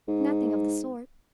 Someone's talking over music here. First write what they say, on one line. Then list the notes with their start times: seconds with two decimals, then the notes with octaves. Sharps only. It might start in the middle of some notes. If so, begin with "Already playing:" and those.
Nothing of the sort!
0.08 G#2